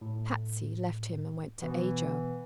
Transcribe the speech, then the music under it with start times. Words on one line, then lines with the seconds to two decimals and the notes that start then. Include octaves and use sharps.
Patsy left him and went to Ajo.
0.01 A2
1.62 B2 E3 B3